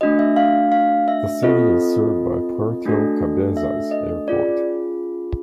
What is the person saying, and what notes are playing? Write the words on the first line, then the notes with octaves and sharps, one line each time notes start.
The city is served by Puerto Cabezas Airport.
A3 D4 F#4 D#5
E5
F5
F5
E5
C4 F4 A4 D#5
A3 D4 F#4 A4
E5
D#5
C#4 F4 G#4 D5